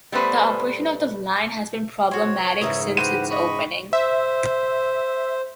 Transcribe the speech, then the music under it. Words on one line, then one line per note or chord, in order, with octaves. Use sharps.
The operation of the line has been problematic since its opening.
G3 A3 B3 B4 C5
F#4 C5 C#5
G#2 C#3 E3 E4 A#4 D#6
F#4 G4 B4 C5 F#5 C6 D#7
D#5 B5 C#6
C5 E5